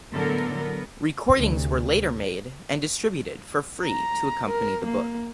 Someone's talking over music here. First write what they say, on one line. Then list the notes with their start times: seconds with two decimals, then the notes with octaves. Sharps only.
Recordings were later made and distributed for free to accompany the book.
0.14 A2 D3 F#3 B3 A4 A#4
0.55 B3 A#4
1.35 D2 C3
3.85 A#5
4.47 A#4
4.85 A#3